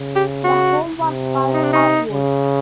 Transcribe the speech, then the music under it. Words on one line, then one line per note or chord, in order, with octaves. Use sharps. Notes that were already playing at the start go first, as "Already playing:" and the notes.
The home was called Ardwold.
Already playing: C#3
G4
F#4
C3
D#4
D4
D#4
C#3